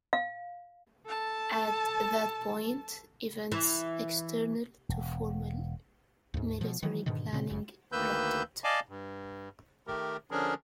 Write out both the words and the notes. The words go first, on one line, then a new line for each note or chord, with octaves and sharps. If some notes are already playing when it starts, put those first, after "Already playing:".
At that point, events external to formal military planning erupted.
F5
A4 A5
E3
E1
D2 G#2
B2 F3
D#3 E3 F#3
G#2 B2 D3 D#3
A#2 C#3 C4
G1 F#2 C#3
D2 D#3 A#3 B4 E6 G6
D5 D#5 F5 G#5 A5 D6
G2
D#3 A3 G4 A#4
D3 F3 C#4 D4 G#4 A#4